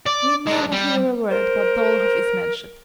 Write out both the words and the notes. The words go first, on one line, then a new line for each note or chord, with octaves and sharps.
We never hear a word but Dolokhov is mentioned.
D5
G#3 D4
G3
A#4 C5